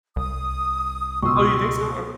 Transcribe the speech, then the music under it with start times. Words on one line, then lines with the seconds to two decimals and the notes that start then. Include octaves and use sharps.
Oh, you think so? Okay.
0.16 C2 D#6
1.22 C#2 B2 C6 C#6 D#6 E6